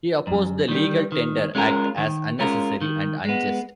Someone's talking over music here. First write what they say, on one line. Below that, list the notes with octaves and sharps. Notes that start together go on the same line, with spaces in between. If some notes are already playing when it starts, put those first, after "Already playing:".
He opposed the Legal Tender Act as unnecessary and unjust.
F#2
D#3 G3
D#3
G#3 C#4 F4 A#4
D#3
G#3 C#4 F4 A#4
D#3
G#3 B3